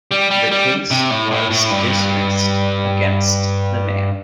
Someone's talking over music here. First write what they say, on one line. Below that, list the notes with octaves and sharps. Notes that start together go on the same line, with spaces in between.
The case was dismissed against the man.
G3
G3
G3
C3
A2
A2
A2
G2